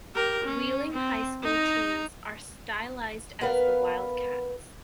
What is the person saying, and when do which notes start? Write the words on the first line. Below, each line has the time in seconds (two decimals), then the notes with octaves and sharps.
Wheeling High School teams are stylized as the Wildcats.
0.15 G4 A#4
0.44 C#4
0.92 C4
1.43 D#4 A#5
3.41 B3 A#4 B4 F5